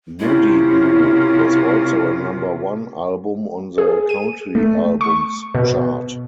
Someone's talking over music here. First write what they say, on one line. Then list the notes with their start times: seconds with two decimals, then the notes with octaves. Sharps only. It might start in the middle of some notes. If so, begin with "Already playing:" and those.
"Moody Blue" was also a number one album on the Country Albums chart.
0.20 C3 C#4 E4 F4 A#4
3.78 G#4
4.09 D#7
4.55 A3
5.01 C#6
5.55 B2